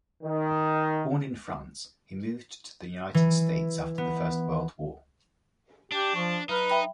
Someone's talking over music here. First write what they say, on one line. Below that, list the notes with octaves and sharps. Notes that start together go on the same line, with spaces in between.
Born in France, he moved to the United States after the First World War.
D#3
E3
B3
D4 G4
F3 C#6
F#3 D#4 B4 F6
E5 G5 B5